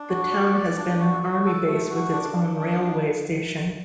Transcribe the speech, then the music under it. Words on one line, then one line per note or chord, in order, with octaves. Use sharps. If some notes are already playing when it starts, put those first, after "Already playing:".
The town has been an army base with its own railway station.
Already playing: D4
F#4
D5
D5
D4
F#4
F#4
A4
A3
F#4
D4
D4
D4